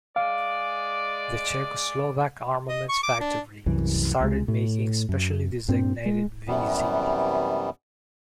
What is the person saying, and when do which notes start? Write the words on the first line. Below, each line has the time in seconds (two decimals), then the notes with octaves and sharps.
The Czechoslovak Armaments Factory started making specially designated vz.
0.16 G#3 D5 F5
2.69 D#5
2.89 C#6
3.03 D6
3.21 D4
3.66 C2 F#2 E3
4.20 C#2 G#3
4.48 A2
5.09 F#2
5.68 G2 A#2 C4
6.06 G#3
6.48 F#2 C3 E3 G3 B3